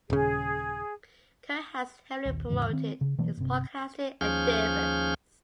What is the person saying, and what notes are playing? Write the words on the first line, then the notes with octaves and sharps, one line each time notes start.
Curry has heavily promoted his podcasting endeavors.
D#1 C#3 G#4
A#1 D#2
D#2 G#2 C#3 E3
D#3 C4
C#3
B2 E3 F#3 A#3
G1 C3
D#2 F3 C#4 G#4 F6 G6